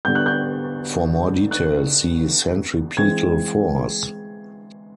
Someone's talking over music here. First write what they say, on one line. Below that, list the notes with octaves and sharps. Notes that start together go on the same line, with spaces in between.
For more detail, see centripetal force.
D3 G3 B3 G6
F#6
G6
F#6
E3 G#3 C4 G#6